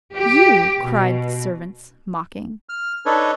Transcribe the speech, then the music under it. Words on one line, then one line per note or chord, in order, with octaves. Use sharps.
"You!" cried the servants mocking.
G4
B2
F6
D4 D#4 A4 B4 C#5